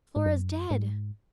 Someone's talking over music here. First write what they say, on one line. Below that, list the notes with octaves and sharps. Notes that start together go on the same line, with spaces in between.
"Flora's dead!"
G#2
F#2
G#2